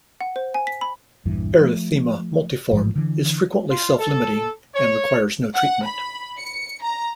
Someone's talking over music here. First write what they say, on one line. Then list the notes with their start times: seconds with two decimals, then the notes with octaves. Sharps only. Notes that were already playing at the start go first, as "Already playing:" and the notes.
Erythema multiforme is frequently self-limiting and requires no treatment.
0.21 F#5
0.36 C5
0.54 G#5
0.67 B6
0.81 B5
1.25 A#1 E2 G2 E3
1.61 F3 A3
2.71 A1 G#2 F3
2.95 D3 E3
3.69 F4
3.99 A4
4.75 C#5
5.55 F#5
5.86 B5
6.38 C#7
6.83 A#5